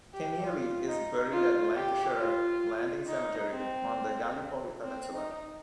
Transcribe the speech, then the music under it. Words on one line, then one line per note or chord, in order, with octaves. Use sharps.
Kenealy is buried at Lancashire Landing Cemetery on the Gallipoli Peninsula.
G4
F4
D#4
F4
G4
F4
D#4
C4
C4
D#4